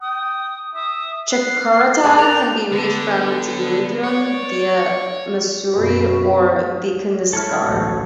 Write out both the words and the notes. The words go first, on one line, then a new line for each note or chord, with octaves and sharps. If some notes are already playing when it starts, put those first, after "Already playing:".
Chakrata can be reached from Dehradun via Mussoorie or Vikasnagar.
G5 D#6
E5 D#6
F#5 C7
G2 G#3 G#4 C#5
A#4 A5 F7
G5
D3 B3
C#5 D5
F#2 B2 F#4 B4
G#3 E4 A4 C#5 F6
A1 D2 B2 F3 F#3